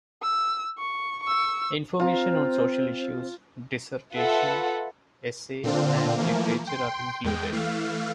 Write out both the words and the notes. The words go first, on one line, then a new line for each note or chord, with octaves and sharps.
Information on social issues, dissertation, essay and literature are included.
E6
C#6
C#6 E6
C4 F4 A#5
F4 A4 B4 E5 F#5
A#2 D3 C4 D4 F4
E3 F3 A3 A#3
G5 C6
E2 G#3 G5
E3 A3 F5